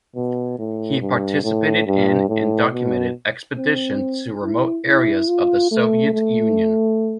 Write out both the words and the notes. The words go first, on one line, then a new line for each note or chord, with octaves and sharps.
He participated in and documented expeditions to remote areas of the Soviet Union.
B2
A2
G2
A2
G2
A2
B2
C4
E4
E4
F4
A3
A3